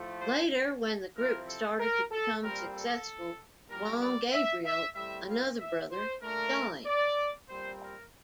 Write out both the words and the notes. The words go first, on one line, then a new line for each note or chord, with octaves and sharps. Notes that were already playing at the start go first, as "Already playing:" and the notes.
Later, when the group started to become successful, Juan Gabriel, another brother, joined.
Already playing: A2 F3 A3
C5
C3 F3 C4 E4 A#4
A4
A#4
A4
A#2 G3 C4 A#4
A4
A#2 G3 A#3 D4 A#4
D5
E5
E5
A2 G3 C4 E5
F5
E5
C5
A#2 A3 D4 A#4
D5
A#2 G3 C4 C5
A#4